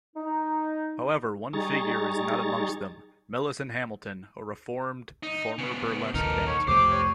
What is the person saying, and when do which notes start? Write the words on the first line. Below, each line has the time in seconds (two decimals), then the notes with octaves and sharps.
However, one figure is not amongst them- Millicent Hamilton, a reformed former burlesque dancer.
0.16 D#4
1.53 G3 D#4 G#4 A#5 C#6 A6
5.23 D#4
5.58 C#3 B3
6.14 A#1 D#2 D#4 A4 A#4
6.47 C#5
6.67 C2 F2 A3 G4 C5 D6
6.91 C#5